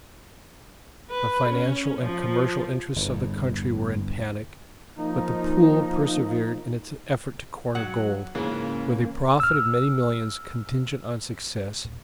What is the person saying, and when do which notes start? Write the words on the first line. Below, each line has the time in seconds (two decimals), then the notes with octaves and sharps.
The financial and commercial interests of the country were in panic; but the pool persevered in its effort to corner gold, with a profit of many millions contingent on success.
1.10 B4
1.50 C#4
1.99 F3
2.96 G1 E2
4.98 F3 A#3 D#4
7.75 F#3 F#5
8.35 G#2 C#3 E3 A#3 C#4
9.40 E6 F6